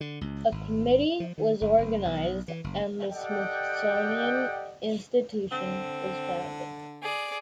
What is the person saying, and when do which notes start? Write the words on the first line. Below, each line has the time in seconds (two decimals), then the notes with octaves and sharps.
A committee was organised and the Smithsonian Institution was founded.
0.01 D3
0.21 C#2
0.52 G#1
1.20 F3
1.38 D#3
1.61 G1
1.78 F#1
2.05 B1
2.48 E3
2.64 F#1
3.11 G4 A4 D5 D#5 F#5 G5
5.51 D3 C4
7.02 G#4 D5